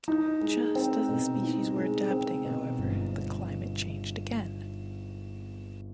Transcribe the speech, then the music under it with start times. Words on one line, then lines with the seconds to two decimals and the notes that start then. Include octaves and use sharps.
Just as the species were adapting, however, the climate changed again.
0.08 D#4
0.41 G#3
0.75 C4
1.09 B2
1.43 D#4
1.77 G#3
2.11 C4
2.45 B2
2.78 G1